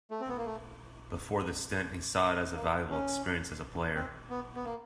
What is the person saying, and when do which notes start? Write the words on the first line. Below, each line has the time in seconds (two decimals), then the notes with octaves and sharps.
Before the stint, he saw it as a valuable experience as a player.
0.11 A3
0.21 C4
0.29 B3
0.37 A#3
0.46 A3
2.55 A#3
2.90 C#4
3.95 C4
4.30 B3
4.55 B3
4.65 A#3